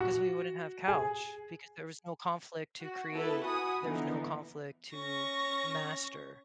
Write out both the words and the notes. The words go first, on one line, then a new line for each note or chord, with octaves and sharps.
'Cause we wouldn't have couch because there was no conflict to create. There was no conflict to master.
F#4
G#4
F#4
B3 E4 A4 B4 A5
F#4 F#5 G#5 B5 D#6
D3 E3 F3 B3 D#4
C#4 C#6 A#6